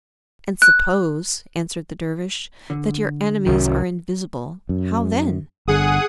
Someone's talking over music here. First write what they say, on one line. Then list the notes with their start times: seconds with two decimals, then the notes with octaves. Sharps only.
"And suppose," answered the dervish, "that your enemies are invisible, how then?"
0.62 F#6
2.70 D3
3.46 C2 F#2 D#3
4.69 F#2
5.68 G1 D3 G#4 F#5 D#6